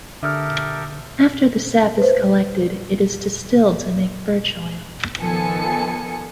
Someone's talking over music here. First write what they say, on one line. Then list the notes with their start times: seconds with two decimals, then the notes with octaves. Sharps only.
After the sap is collected, it is distilled to make birch oil.
0.23 D3 G4 A4 A#4 E5 D#6 F6
1.98 B4 C5
5.21 D#3 F3 B3 A4 G#5 C#7